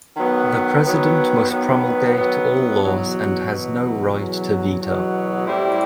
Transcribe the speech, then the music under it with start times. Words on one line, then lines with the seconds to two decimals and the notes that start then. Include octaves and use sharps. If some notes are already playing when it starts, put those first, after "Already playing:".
The president must promulgate all laws and has no right to veto.
0.17 D#3 F#3 B3
0.83 D#3 F#3 B3
1.49 D#3 F#3 B3
2.16 D#3 F#3 B3
2.81 E2 B2 F#3
3.48 E2 B2 F#3
4.14 E2 B2 F#3
4.80 E2 B2 F#3
5.46 A2 G3 C4 E4 G4